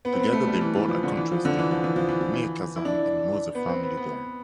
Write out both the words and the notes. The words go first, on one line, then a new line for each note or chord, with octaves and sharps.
Together they bought a country estate near Kazan and moved the family there.
B3
C4
B3
A3
G3
E3
E3
F3
D3
E3
F3
D3
E3
F3
E3
F3
E3
F3
E3
E4
D4
B3
C4
B3
B3